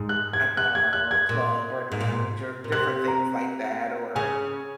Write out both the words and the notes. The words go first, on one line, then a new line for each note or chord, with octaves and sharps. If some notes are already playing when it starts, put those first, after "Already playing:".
a bar, or a club, or lounge, or different things like that, or
Already playing: G#2
F#6
G#6
F#6
G#6
F#6
G#6
A#2
G#2
A#2
A#2
C3 F#6
A#5
C#3 G#5